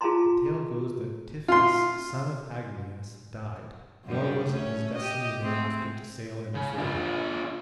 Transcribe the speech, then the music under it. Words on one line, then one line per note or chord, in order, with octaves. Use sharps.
The tale goes that Tiphys son of Hagnias died; nor was it his destiny thereafter to sail any further.
F4 G#4 F5 A5 A#5 C6
F4 C6
F#2 D3 G3
A3 C#4
G4 D#5
G#3 A3 C4
C#3
D4 F4